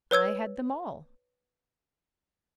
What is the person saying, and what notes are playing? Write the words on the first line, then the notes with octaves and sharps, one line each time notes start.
I had them all.
B4 C#5 E6 G#6